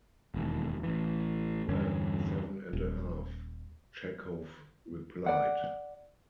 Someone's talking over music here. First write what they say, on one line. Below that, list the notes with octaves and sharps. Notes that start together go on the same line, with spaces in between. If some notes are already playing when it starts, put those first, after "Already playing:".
"Well, seven and a half," Chekhov replied.
E1 D#2
A1 E3
E2 G2 D3 C#4
D#1
D5 F#5